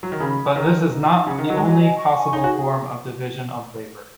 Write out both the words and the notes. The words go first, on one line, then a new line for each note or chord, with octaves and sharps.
But this is not the only possible form of division of labor.
F#3
D#3
C#3 B5
G#4
D#3 D#4
D#4
D#4
D#4
C#3 F#5
D#3
D#5
F#3
G#3
F#3 G#5
D#5
C#6
G#5
D#4 C#5
F#4
G#4